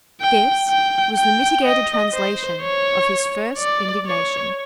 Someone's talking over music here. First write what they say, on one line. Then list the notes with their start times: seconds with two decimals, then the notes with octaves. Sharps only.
This was the mitigated translation of his first indignation.
0.21 G5
0.69 G5
1.16 G5
1.65 D#5
2.13 C5
2.62 C#5
3.58 D5
4.06 C#5